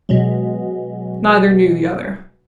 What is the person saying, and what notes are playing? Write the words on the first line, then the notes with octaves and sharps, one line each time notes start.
Neither knew the other.
B2 F#3 G#3